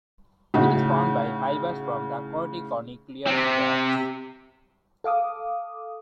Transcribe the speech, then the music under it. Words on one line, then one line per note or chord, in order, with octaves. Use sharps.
It is formed by fibers from the corticonuclear tracts.
A2 C#3 D#4 F#4
C3 C4
A4 F5 D6 D#6